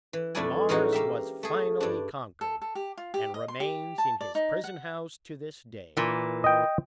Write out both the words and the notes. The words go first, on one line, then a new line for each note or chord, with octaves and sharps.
Mars was finally conquered, and remains in his prison-house to this day.
E3
F2 A3 D4 E4 D5 G#5
A2 E3 G#3 C#4 D#4 F#4
A#3 G4 E5
A3 G#4
G2 D4
A4
A4
G4
F4
G4
D#5
C6
G4
A5
D5
D#4
F#5
A#2 E3
D#5 G5